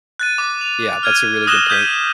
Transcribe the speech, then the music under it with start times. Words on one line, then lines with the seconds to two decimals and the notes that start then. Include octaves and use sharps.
yeah, that's a really good point.
0.19 F#6 A6 D#7
0.38 D6
0.61 F7
1.03 F6 G#6 D#7
1.47 D#6 F#6 A#6 E7 G7
1.69 D#6 G6 G#6 B6 D#7